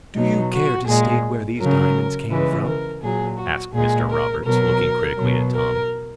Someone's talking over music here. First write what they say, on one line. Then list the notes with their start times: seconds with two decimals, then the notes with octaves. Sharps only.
"Do you care to state where these diamonds came from?" asked Mr. Roberts, looking critically at Tom.
0.15 B2 F#3 D#4
0.52 F#4
0.87 A#2 G#3 G#4
1.59 C#3 F#3 A#4
2.31 C#3 E3 G#3 B4
2.66 A#4
3.02 A#2 F#3 G#4
3.38 F#4
3.74 A#2 G#3 G#4
4.10 A#4
4.46 B2 F#3 A#4
5.18 B2 F#3
5.54 A#4